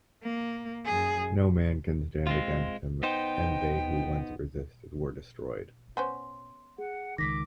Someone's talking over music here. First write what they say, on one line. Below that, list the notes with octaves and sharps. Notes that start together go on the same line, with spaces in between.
No man can stand against him and they who once resisted, were destroyed.
A#3
F#2 G#4
G#3 C4 F4
B3 D#4 C5 G5
B3 C#4 C5 C6
G#4 F#5
C#2 D#3 D6 A#6 B6